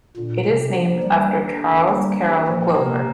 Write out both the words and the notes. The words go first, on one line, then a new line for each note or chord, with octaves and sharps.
It is named after Charles Carroll Glover.
A#2 D3
D3
C3
G4
D3 F3
A#3
G3
D2
G4
D3
D2
G3 A#3
D3
G4
A#2 F3
A#3
C3
A#3